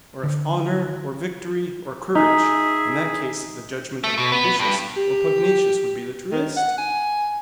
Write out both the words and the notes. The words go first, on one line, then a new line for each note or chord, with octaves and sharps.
Or if honour or victory or courage, in that case the judgment of the ambitious or pugnacious would be the truest?
D3
D#4 G#4 E5
A3
B2
B3
G2
G4
D#3
F#5
G#5